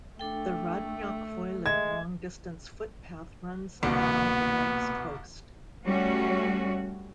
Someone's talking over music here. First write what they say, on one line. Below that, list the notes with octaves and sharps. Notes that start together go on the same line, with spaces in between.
The Raad ny Foillan long distance footpath runs around the Manx coast.
A3 D4 A4 G5
G#3 E5 G#6
C2 B2 D3 A#3 B3
G3 A3 C#4 F#4